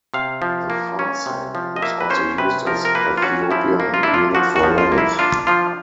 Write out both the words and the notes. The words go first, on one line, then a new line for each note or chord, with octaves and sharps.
The farsang was also used as Ethiopian unit for length.
C3 F5
F3
A#3
C#4
C3
F3
D#5
A#3 E5
B4
C#4 C5
C3 B4
F3 A#4
A#4
A#3 B4
F4
C#4 F#4
F3 E4
A#3
F4
D4 E4
F4
F3 F#4
F#4
F3
F4
A#3
E4
D4 F4
F3 F4